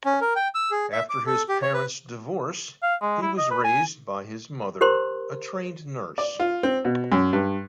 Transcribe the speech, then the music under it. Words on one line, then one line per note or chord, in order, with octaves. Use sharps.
After his parents' divorce, he was raised by his mother, a trained nurse.
C#4
A#4
G5
E6
G#4
E5
D6
A4
G4
C#5
B4
F5
G#3
E4
D#5
B4
G#5
G4 A#4 C5 A#5 C6
D5
F4
C4
B2
F#2
G2